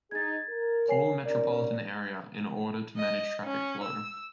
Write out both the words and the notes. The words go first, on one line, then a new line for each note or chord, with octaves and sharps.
Paul metropolitan area in order to manage traffic flow.
D#4 G#4 G#6 A6
A#4
C#5 G#5 C7
D#2 C#4 A#4 D5
D#5
C#4
E6